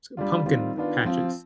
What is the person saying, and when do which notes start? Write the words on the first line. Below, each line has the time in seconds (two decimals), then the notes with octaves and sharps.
s pumpkin patches.
0.17 G3 D4 F4
0.46 D#3 G3 C4 F4
0.75 D#3 B3 D4 F4
1.05 F3 C4 F4